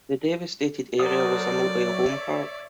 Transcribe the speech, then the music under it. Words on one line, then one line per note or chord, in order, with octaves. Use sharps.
The devastated area was a mobile home park.
F#3 A4 A#4 C5 D5 F#5 D#6
C#5 E5